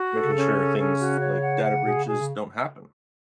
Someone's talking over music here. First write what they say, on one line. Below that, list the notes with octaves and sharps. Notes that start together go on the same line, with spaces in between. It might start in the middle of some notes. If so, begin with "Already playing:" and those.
Making sure things, like, data breaches don't happen
Already playing: F#4
A4
C#3
C#4
A4
C#4
F#4
C#5
F#5
F#5
B2 G#4
C#3
B2 G#4
C#3